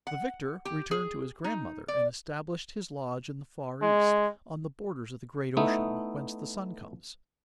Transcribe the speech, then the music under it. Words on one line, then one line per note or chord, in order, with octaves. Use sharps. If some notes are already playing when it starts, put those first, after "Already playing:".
The victor returned to his grandmother, and established his lodge in the far east, on the borders of the great ocean, whence the sun comes.
F#5
G4
G#4
D#4
D5
G#3
A3 B3 D#4 E4